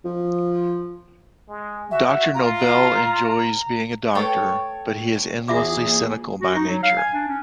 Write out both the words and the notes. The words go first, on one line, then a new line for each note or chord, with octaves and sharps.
Doctor Noble enjoys being a doctor, but he is endlessly cynical by nature.
F3
G#3
F#4 E5
F4 A#5
A3 A4 B4 C#5 G5
E2 F4 G#4 E5 D6
A#3
F#4
D#4
F#3
F5
G#5
D4
C#4